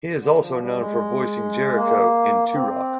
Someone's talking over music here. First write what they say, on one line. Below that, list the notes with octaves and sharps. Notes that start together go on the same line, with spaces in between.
He is also known for voicing Jericho in Turok.
D3
F3
G3
G#3
A#3
A#3
C4